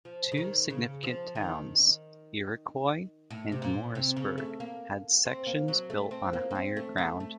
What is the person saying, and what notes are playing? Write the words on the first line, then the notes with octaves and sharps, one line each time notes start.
Two significant towns, Iroquois and Morrisburg had sections built on higher ground.
F3
C#3
D#3
C#3
F3
D#3
A2
C3
A#2
C3
C#3
A3
A#3
C4
A#3
F#3
A3
C4
A#3
A#3
C4
A3
A3
A3